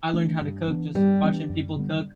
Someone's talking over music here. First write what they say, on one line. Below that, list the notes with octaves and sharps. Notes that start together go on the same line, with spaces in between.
I learned how to cook- just watching people cook
E3 A3 D4
G2
E3 B3 D4
G2 G3
E3 B3 D4
F#2
D3 G3 B3